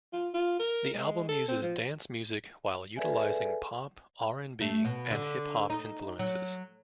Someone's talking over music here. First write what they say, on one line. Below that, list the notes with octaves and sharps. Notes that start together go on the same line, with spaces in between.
The album uses dance music while utilizing pop, R and B, and hip-hop influences.
F4
F4
A#4
G#3
A4
C4
F3
G#4 A4 B4 D5 E5 G#5
A3
B2
D3
D#4
F#3